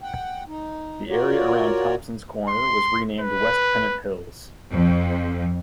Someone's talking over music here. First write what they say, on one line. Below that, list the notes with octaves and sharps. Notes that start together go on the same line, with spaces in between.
The area around Thompsons Corner was renamed West Pennant Hills.
F#5 G5
D#4
F4 F#4 A#4 C#5 D5
C6
B4
F2